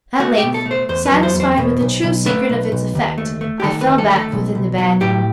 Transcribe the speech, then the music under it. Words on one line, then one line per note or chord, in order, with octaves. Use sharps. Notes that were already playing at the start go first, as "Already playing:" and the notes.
At length, satisfied with the true secret of its effect, I fell back within the bed.
A3 F#4
G4
B2
A4
A3
C5
E2 C5
B4
F#3
C5
E2
C5
B2
B1
B1
A3 B4
B1
B1
D#2
A3
A3
G4
D#3 A4
B4
D#2
A4
A3
A4
B1
B1
F#3
A2 G4